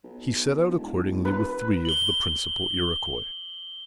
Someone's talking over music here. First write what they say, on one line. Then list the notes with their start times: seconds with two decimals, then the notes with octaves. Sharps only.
He set out accordingly with three of the principal Iroquois.
0.04 B1
0.68 E1
1.25 B4
1.85 F#7 G7